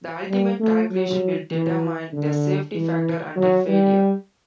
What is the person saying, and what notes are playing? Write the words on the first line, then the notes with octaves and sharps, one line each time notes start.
The ultimate calculation will determine the safety factor until failure.
G3
A3
F#3
E3
D3
E3
F#3
G3